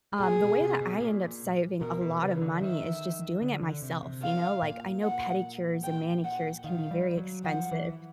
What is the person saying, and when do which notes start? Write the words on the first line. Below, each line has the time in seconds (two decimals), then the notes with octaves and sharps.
um, the way that I end up saving a lotta money is just doing it myself, you know, like, I know pedicures and manicures can be very expensive,
0.19 A#2 G#4
0.40 B2
0.60 C3
0.81 B2
1.00 A#2
1.81 B2 A#4
2.01 B2
2.21 C#3 B4
2.42 D3
2.61 D#3 E5
3.42 D3
3.62 D3
3.82 C3
4.03 C3
4.23 F5
4.63 A#2
5.03 F#5
5.84 G5
6.24 F#5
6.64 D#3 F5
6.91 G3
7.17 F#3
7.44 F3 F#5
7.71 E3